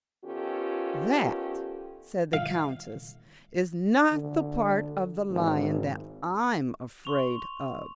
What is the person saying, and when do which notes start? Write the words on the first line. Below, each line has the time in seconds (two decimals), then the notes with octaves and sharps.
"That," said the Countess, "is not the part of the lion that I'm afraid of."
0.24 D#3 B3 C#4 F4 G4 A4
2.33 F5
4.12 D3
5.29 G#1
7.05 C6 C#6 F7